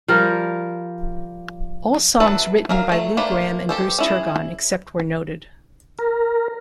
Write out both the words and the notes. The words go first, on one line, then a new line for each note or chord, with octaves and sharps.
All songs written by Lou Gramm and Bruce Turgon except where noted.
F3 G3 A#4
F#3 A4 B4 E5 A5
F#3 A#4 F5
F#3 A3
A3 A#3 D4 C5 B5
G4 A4 C5
C#4 E4 G#4
A#4